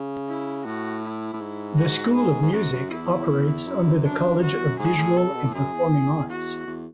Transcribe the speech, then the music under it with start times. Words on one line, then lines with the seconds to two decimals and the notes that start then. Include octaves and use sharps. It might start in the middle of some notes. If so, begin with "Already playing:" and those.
The School of Music operates under the College of Visual and Performing Arts.
Already playing: C#3
0.28 E4
0.65 A2 F#4
1.04 E4
1.33 A2
1.41 G#2
1.78 F#4
2.16 G#4
2.42 G#2
2.53 F#2 F#4
2.73 F#2
2.91 E2 E4
3.67 F#2
4.04 D4
4.42 F#4
4.52 E2
4.67 F#2
4.79 G#2 G#4
4.98 A2
5.16 B2 A4
5.27 C#3
5.36 B2
5.46 A2
5.55 F#2 G#4
5.74 E2
6.30 F#4
6.67 E2